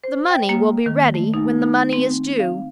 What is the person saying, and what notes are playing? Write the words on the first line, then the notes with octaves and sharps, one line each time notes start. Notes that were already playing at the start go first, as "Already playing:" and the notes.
The money will be ready when the money is due.
C5
G5
A#3
D#3
A3
D#4
D#4
C4
F5